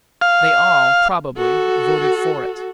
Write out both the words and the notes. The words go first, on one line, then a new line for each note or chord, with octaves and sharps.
They all, probably, voted for it.
F5
F#4 A4